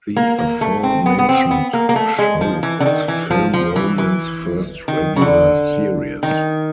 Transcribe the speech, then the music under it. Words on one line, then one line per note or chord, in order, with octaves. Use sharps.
The aforementioned show was Film Roman's first regular series.
A#3
A#3
A3
C4
B3
B3
C4
B3
A#3
A#3
A3
G#3
F3
E3
D3
D#3
E3
F3
F3
E3
E3
D#3
C#3
D3
D#3